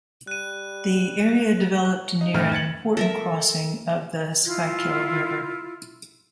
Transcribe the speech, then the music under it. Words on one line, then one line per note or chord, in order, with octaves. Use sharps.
The area developed near an important crossing of the Schuylkill River.
G3 F#6 D#7
F#6
D#4
F#1 A2 D#3 A3 F6
G#6 A6 C#7 F#7
A4 A#4 E5
E4 F4